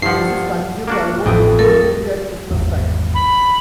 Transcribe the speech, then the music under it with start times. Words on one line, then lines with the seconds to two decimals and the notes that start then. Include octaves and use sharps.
This is consumed almost exclusively at Christmas time.
0.02 G2 F3 E4 F#5 C7
0.88 A#3 D4 F#4
1.26 A1 F2 E3 G5 D#6
1.59 A3 A4 A#4
2.51 G#1 E2
3.15 B5